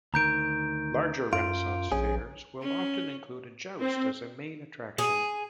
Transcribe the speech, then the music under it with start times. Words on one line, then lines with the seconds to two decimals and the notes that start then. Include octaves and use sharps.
Larger Renaissance fairs will often include a joust as a main attraction.
0.14 D2 D#3 A#5 G6 D7
1.33 F#2 F4 D7
1.92 A#1 C#4 G#4
2.62 C#4
3.80 C4
4.98 G#4